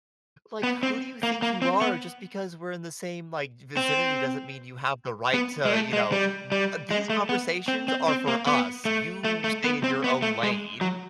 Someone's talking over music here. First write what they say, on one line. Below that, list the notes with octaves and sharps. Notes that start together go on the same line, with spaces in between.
Like, who do you think you are? Just because we're in the same, like, vicinity doesn't mean you have the right to, you know, m uh, these conversations are for us. You stay in your own lane.
B3
C4
A#3
A#3
C4
B3
C4
B3
G#3
A3
G#3
G3
G3
G#3
A3
B3
C4
C4
C4
A#3
B3
A3
A3
A3
B3
C4
B3
A3
G#3
F#3